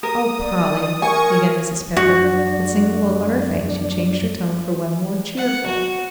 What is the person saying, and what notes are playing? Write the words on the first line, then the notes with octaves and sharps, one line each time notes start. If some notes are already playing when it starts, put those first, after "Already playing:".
"Oh, Polly," began Mrs. Pepper; but seeing the look on her face, she changed her tone for one more cheerful.
A#4 D#6
D5
A#4 G#5 C#6 G#6
F#2 D4 F#4
F#5
F#4